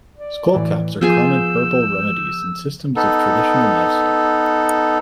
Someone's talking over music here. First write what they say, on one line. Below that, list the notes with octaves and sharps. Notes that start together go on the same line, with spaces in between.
Skullcaps are common herbal remedies in systems of traditional medicine.
D5
A2 E3
F3 B3 F4 G#4 G#5 E6 G6
B3 D#4 A4